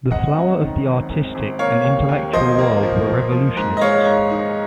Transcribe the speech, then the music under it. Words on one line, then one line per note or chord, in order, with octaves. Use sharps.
The flower of the artistic and intellectual world were revolutionists.
G#1 D#5 F#5
F#2
D#3
G#1
G#1
G#1
A#3 C#5 F5
D#2
D#2
F3 C5 D#5
A#3
F3
F3
F3
G#2
D#5
G#3 C#5 F5
G#2
D#4